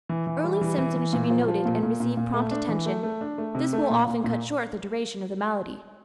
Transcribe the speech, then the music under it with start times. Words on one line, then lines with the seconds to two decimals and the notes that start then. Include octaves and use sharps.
Early symptoms should be noted and receive prompt attention; this will often cut short the duration of the malady.
0.09 E3
0.27 E3
0.44 G3
0.61 E3
0.78 E3
0.96 E3
1.13 A#2
1.30 F3
1.48 F3
1.65 A#2
1.83 A#2
2.00 A#2
2.17 A#2
2.34 A3
2.51 D4
2.69 E3
2.86 A3
3.03 A3
3.21 D4
3.38 A3
3.55 C3
3.73 A3
3.90 A#2
4.07 A#2
4.24 A#2